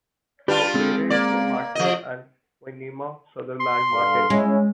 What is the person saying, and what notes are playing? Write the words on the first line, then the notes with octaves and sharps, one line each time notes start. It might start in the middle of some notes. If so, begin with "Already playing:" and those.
Her parents were Michael and Wynema Southerland Martin.
G3 D4 F4 G4 B4
G#3 C4 G#4
A#3 D5
F3 D#5
C6
G2 A4 F5
G#3 C#4 E4